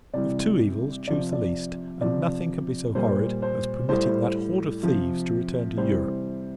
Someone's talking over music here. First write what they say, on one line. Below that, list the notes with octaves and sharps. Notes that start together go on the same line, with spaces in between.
Of two evils, choose the least; and nothing can be so horrid, as permitting that horde of thieves to return to Europe.
C3 E3 G3 D5
C3 F3 D5
D5
C3 F3 D5
A#2 G3 C5
C5
A2 G3 C5
C3 F3
C3 E3 G3 C5